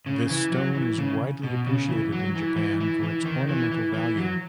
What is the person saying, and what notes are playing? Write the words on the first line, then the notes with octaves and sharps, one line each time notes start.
This stone is widely appreciated in Japan for its ornamental value.
C#3
E3
F#3
E3
C#3
B2
C#3
E3
F#3
E3
E3
E3
E3
D#3
E3
E3
E3
F#3